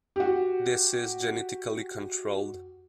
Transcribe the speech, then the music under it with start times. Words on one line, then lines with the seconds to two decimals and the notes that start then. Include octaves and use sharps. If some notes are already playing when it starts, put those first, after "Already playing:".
This is genetically controlled.
0.16 F#4 G4